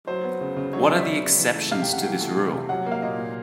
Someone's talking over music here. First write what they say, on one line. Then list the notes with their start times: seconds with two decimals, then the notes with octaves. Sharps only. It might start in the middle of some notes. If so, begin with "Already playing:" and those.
What are the exceptions to this rule?
0.07 F#3 C5
0.24 B3
0.41 C#3
0.57 C#3
0.73 F#3 C#5
0.84 D5
0.89 B3
0.95 E5
1.06 C#3
1.23 C#3
1.39 E3
1.56 A3
1.72 C3 F5
1.82 G5
1.88 C3 F#5
2.04 E3 G5
2.21 A3
2.37 C3
2.53 C3
2.69 F#3 F#5
2.86 A#3
2.92 F5
3.02 A#2 D#5
3.19 A#2